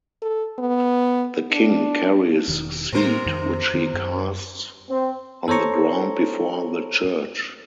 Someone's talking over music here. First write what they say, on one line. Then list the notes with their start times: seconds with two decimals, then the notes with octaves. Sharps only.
The king carries seed which he casts on the ground before the church.
0.22 A4
0.59 B3
1.52 D4
2.48 E1 D#3
2.93 A2 C3 A3 A#4 C5
3.26 F2 D#3
3.74 D#3
3.94 F#2
4.90 C4
5.48 A4 C5 C#5 A#5 C#6